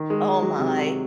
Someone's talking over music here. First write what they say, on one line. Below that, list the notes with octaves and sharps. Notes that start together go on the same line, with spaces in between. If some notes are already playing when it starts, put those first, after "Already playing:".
Oh my.
Already playing: D#3
G#3
F#3
C3